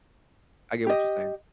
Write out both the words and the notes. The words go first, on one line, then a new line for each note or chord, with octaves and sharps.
I get what you're saying.
G4 D#5